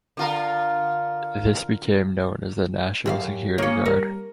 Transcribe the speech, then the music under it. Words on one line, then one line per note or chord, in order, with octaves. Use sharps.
This became known as the National Security Guard.
D3 F4 A#4
F#2 G4 E5 F5
A#3 C#4 C#5 D#6 C#7
G3 A#4